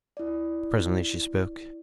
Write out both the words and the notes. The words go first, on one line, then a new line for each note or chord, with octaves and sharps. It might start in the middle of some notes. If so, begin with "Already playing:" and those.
Presently she spoke.
E4 D5